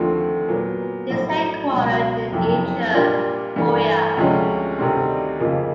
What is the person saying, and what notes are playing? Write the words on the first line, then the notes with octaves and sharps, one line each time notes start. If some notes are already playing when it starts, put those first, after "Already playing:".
It is headquartered in Incheon, Korea.
Already playing: D#2 D3 F3 A3 C4
A#2 F#3 B3
A#1 A2 F#3
C#2 B2 F#3
F#1 F2 C3
A#2 G3 A#3 D4 F4
G2 E3 A3
D2 C3 F3 G#3 C#4
D2 C3 D#3 G3 C4
F2 C#3 F3 A#3 D#4